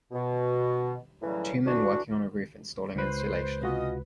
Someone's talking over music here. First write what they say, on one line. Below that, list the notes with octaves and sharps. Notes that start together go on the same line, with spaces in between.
Two men working on a roof installing insulation.
B2
A2 C#3 E3 F#3 G3
D3 E3 D4 F#4
C#2 B4 C5
C3 C#4 F4 F#4 D#5